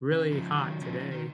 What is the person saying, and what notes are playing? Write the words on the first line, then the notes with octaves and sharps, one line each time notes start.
really hot today
C#3
C#3 F3
D#3 F#3
C#3 F3
F3
D#3